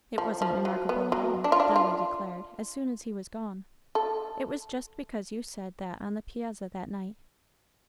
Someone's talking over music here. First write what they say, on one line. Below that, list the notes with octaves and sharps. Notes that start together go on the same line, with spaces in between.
"It wasn't remarkable at all," Dolly declared, as soon as he was gone. "It was just because you said that on the piazza that night."
F3
F3
F#3
B3
F#3
D4
F4
D4
F4
A4